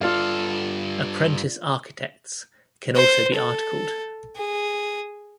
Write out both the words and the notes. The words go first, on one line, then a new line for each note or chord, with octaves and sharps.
Apprentice architects can also be articled.
G2 F4 A4 D5 F5
C5
A4
G#4